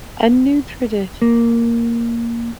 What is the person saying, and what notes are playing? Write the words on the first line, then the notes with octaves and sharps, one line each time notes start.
a new tradition.
A#3